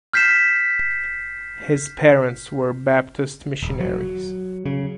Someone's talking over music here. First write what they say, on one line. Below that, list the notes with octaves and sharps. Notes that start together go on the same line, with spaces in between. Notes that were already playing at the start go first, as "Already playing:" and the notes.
His parents were Baptist missionaries.
F6 G6 B6 C7 E7
D#1
F#3
C#3